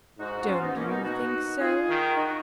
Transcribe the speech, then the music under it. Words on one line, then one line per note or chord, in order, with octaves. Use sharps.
'Don't you think so?
G#2 D#4 F#4
F#4
C#4 F4
B3 D#4
B2 A#3 C#4
B3 D#4
D#4 F#4
F4 G#4
D#3
D#4 F#4